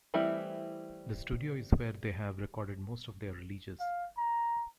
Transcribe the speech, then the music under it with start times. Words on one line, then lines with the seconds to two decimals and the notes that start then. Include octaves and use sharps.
The studio is where they have recorded most of their releases.
0.14 E3 G3 A3 C4 E4
3.80 F5
4.17 A#5